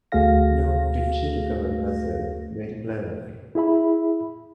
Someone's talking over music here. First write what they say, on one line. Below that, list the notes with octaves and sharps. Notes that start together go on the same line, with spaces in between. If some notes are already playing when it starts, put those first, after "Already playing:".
Nor did she recover herself very cleverly.
D2 A3 F#4 G#4 F5 A#6
E4 G#4 E5 B5